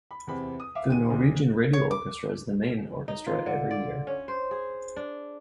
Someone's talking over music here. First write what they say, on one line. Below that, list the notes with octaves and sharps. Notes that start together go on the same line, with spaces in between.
The Norwegian Radio Orchestra is the main orchestra every year.
B5
E2 C3 C4 B5
D#6
E5 F5 D6
D#2 D#3 G#5 D#7
F#1 D2 A#2 D3
C#5
D6
D#4
F4
D3
D5
C#4
C5
G#4
D4